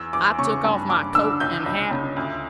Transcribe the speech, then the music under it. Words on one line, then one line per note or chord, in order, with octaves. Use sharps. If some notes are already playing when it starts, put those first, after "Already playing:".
I took off my coat and hat.
Already playing: E2 E6
E2 D6
C#3 C#6
G2
G2 D6
D3 E6
C#2 G6
C#2
C#3
D2